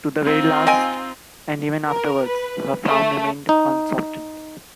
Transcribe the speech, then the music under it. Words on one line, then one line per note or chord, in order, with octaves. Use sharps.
To the very last, and even afterwards, her frown remained unsoftened.
C4 D#4 F4
D#5 G5 G#5
A#4
B4
A3
D#4